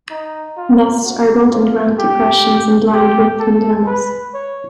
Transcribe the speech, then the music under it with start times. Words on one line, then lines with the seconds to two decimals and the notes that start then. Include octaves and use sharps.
Nests are built in ground depressions and lined with tundra moss.
0.11 D#4
0.57 F4
1.04 F#4
1.51 F4
1.99 G4
2.93 G4
3.39 A4
3.87 B4
4.34 C#5